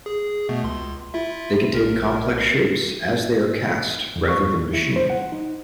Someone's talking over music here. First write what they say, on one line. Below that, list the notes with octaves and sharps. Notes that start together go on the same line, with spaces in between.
They can take complex shapes, as they are cast, rather than machined.
G#4
B2 A3 B3
C#2 C6
E4 F4 E5
B1 A#4
F2
C#6
E4
C5
F#5
D#4